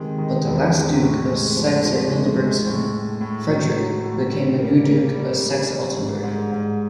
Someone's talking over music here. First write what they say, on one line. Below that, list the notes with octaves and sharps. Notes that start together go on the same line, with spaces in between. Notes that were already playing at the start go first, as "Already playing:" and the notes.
But the last Duke of Saxe-Hildburghausen, Frederick, became the new Duke of Saxe-Altenburg.
Already playing: C3 D#3 G#3
D#3
E2
C3
A2
G#3
F3
F3
G#3
G#3
A2
A2
A2
F#3
F#3
A2
G3
A#3
A#3
G3
G3
G3
G#2
G#2
G#2